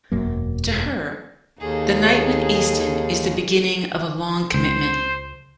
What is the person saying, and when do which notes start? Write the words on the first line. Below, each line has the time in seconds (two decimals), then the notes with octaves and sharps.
To her, the night with Easton is the beginning of a long commitment.
0.12 E1 F#2 F#3 A#3
1.59 D#2 D#4 G#4 A4
4.54 C#2 C5